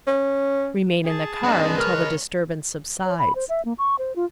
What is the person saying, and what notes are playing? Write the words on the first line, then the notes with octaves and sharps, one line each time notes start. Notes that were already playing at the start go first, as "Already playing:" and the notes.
Remain in the car until the disturbance subsides.
C#4
G#4 A5
G#3 C4 D4 B4 D#5
C#2 A#4 C#5 F6
C#5
B5
C5
E5
A#3
C#6
C5
F4